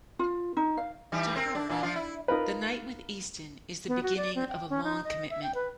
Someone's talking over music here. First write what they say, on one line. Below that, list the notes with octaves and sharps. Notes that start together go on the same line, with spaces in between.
To her, the night with Easton is the beginning of a long commitment.
F4
D#4
F5
E3 G3 D#4
C4 A#4
D4
A#2 E3 D4
F3 D4 F4
E4
D#4 F4 A#4 B4
B3
F#4
D5
C4
G5
C#4
D#4
D#5
E5
G5
B4